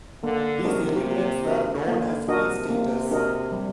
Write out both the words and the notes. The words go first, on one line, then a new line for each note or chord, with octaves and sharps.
These emigrants were known as Free-Staters.
D3 A#3
C3 D4 F#4 A#4 D#5
A#3
D4 F#4 A#4 D#5
D3 A#3
C3 D4 F#4 A#4 D#5
A#3
D4 F#4 A#4 D#5
G3